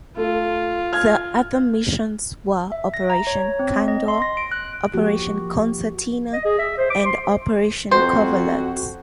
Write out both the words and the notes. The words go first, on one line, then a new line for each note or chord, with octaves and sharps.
The other missions were "Operation Condor", "Operation Concertina" and "Operation Coverlet".
A3 F4
F6 G#6
E5
A#6
A#5
C#5
C4
D#5
C6
A#6
D7
F#6
F3 A#3 F#4 G4
D#5
G#4
E5
C5
D6
C6
F2 F#4 C5